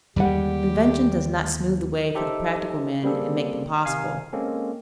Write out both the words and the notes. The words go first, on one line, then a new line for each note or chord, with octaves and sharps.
Invention does not smooth the way for the practical men and make them possible.
D#2 D3 G3 G#3 G4 F#5
D#4 G4 A4 C5 E5
C#3 G3 A#3 C4 G#4 A4
C3 D#3 F5 G#5
G#3 A#3 C4 C#4 A4